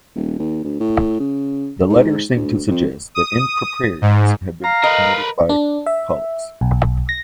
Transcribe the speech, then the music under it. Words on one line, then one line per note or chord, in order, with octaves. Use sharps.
The letter seemed to suggest that improprieties had been committed by Caillaux.
D#1
D#2
D2
A2
C#3
G#2
D2
F2
D#6
G#2
F5 A#5
A#4 B4 D#5
D4
E5
B1
A#6